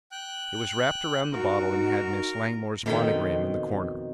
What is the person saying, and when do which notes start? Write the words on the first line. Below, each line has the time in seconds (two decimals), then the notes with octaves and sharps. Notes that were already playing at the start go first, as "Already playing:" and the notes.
It was wrapped around the bottle and had Miss Langmore's monogram in the corner.
0.12 G5 F#6
1.32 D#4 F#4 A#4
2.86 F2 B2 D#3 D#4 G5